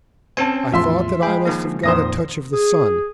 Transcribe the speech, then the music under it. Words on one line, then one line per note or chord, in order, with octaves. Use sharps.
I thought that I must have got a touch of the sun.
C4 C#4 G#5 A5
E2 A2 F3 E5 C6
G#3 G#4 G5 B5
D#3 F3 A#3
F2 A#2 D#3 C5 D#6 A#6
G#4